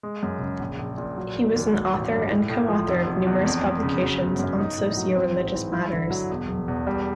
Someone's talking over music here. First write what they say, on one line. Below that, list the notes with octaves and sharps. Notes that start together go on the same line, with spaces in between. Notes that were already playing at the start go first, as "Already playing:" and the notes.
He was an author and co-author of numerous publications on socio-religious matters.
G#3
F#2
C#3
A#1
A#1
A#2
F#3
F1
D#2
F#3
A1
G2
A2
A2
F3
F1
F1
E2
F2
F2
C#3
F#3
G1
F#2
D#4
A2
F#3
C4
G#2
E3
E4
D3
F#3
E1
E1
E2
G3